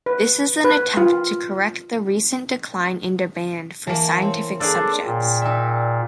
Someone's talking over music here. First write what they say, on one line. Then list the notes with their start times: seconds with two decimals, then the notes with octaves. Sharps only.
This is an attempt to correct the recent decline in demand for scientific subjects.
0.06 B4
0.64 B4
0.97 F4
3.87 E3 A#3 F5 A5
4.22 C4 C#5 C6
4.60 A#3 D4 G#4 A4 D5
5.06 A#2 G5
5.42 D#4 D5 E5 G5 E6